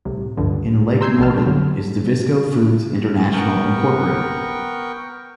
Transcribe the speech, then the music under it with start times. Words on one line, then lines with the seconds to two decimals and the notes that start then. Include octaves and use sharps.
In Lake Norden is Davisco Foods International Incorporated.
0.05 C2 A2 C3
0.37 C#2 G2 D3 F3
1.01 A#5 C6 E6 G6 G#6 C7
1.19 B1 F2 G3 A5 F6
1.46 D3 F#3
3.33 B3 A#4 G5 C#6